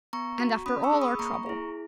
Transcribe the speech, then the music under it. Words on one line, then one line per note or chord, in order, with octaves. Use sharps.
'And after all our trouble!
B3 A#5 C#6
F#4
C#4 B5 D#6
C#6 E6
G#4
B5 D#6
A#3 A#5 C#6
E4 G#4